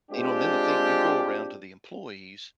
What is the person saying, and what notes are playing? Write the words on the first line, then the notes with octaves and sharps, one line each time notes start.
You know? And then the thing you go around to the employees
G#3 C4 D4 F4 G4